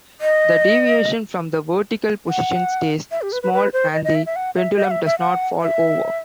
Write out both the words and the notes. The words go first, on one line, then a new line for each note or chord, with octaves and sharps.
The deviation from the vertical position stays small, and the pendulum doesn't fall over.
D#5
F#5
E5
G4
B4
B4
B4
C5
D#5
D#5
E5
E5
F#5
E5
D#5
F#5
E5
E5
F#5
E5